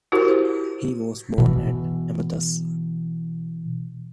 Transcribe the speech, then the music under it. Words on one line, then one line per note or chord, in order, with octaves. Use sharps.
He was born at Amathus.
E4 F#4 G4 A#4 C5
B2 E3